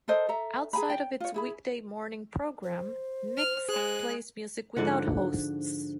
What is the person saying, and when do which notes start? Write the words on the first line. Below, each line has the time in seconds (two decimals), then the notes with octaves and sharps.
Outside of its weekday morning programme, Mix plays music without hosts.
0.08 A4 A#4 C5 D#5
0.29 A4 E5 A#5
0.73 G#4 G#5 A#5 B5
0.90 G5
1.20 F4 C#5
1.34 E4 G#4 B5
2.64 C5
3.37 F6
3.69 G#3 G#4 F#6
4.77 G#2 D3 F3 F#5